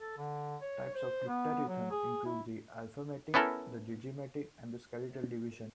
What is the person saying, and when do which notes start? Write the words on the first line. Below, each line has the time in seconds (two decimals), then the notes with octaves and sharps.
Types of cryptarithm include the alphametic, the digimetic, and the skeletal division.
0.01 A4
0.18 D3
0.62 C#5
0.95 C5
1.28 B3
1.68 F#3
1.91 G#4
2.26 E4
3.34 B3 C#4 E4 A4 A#4